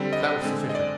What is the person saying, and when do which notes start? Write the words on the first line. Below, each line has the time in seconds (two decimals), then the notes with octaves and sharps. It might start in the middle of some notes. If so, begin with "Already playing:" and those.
That was sufficient.
Already playing: D3 G3 C4
0.13 D#5
0.43 D3 G#3 C4
0.69 D#5
0.75 D5